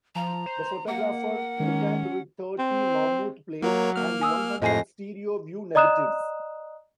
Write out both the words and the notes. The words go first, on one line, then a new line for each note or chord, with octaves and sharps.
The photographer returned with thirty mammoth plate and one hundred stereo view negatives.
F3 A#5
C5
A#3 F#5
D#3 G#3 C#4
C4
F#3 A#3 A#4 C#5
A#3 F6
G#5 D#6 E6
F2 A2 D#5 G#5 A#6 C7
D5 D#5 A#5 D#6 F#6 E7